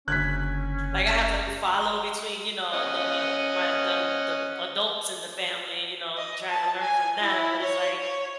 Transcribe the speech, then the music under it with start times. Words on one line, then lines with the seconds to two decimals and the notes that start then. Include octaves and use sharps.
Like, I had to follow between, you know, the my the the adults in the family, you know, trying to learn from them, but it's like
0.08 F#1 D3 C#4 F#6 G#6 B6
2.73 C#4 D#5 F#5
6.17 D#5
6.49 A5
6.82 G#5
7.21 E4
7.63 C#5
8.00 C#5